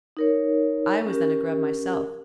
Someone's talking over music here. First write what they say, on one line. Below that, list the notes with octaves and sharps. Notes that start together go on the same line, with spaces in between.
I was then a Grub myself.
D#4 A#4 C#5
C#4 G4 A#4